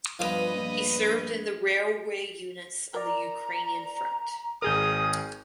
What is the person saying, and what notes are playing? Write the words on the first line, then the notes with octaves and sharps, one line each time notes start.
He served in the railway units on the Ukrainian Front.
G2 F3 B3 B4 D#5 F5
A#1
A#4 D5 A#5
G#1 G#4 A#4 D#6 F6 G6